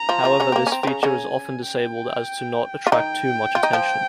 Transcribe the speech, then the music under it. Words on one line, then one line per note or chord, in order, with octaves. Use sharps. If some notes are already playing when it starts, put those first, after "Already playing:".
However, this feature is often disabled as to not attract too much attention.
Already playing: A#5
F3 F4
F3 F4
C#3 C#4
C4
A#3
C#4
C4
C4
C#3 C#4
C#3 C#4 G#5
G5
F4
D#3 D#4 G5
F4
D#4
F3 F4